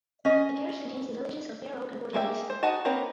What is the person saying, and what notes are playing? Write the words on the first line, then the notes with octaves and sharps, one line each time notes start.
The parish contains the villages of Fair Oak and Horton Heath.
C#4 D#5
G#3 A#3 A4 E5 G5
C5
D#4 F#4 D#5 A5
A#3 C4 A#4 B4 C#5